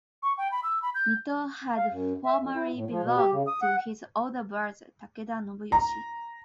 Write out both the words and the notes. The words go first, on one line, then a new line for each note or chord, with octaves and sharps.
Mito had formerly belonged to his older brother, Takeda Nobuyoshi.
C#6
G5
B5
E6
B5
G6
F5
F#2
E5
F2
E4
A2
F3
B2
G4
C#3
D#6
F#5
A#5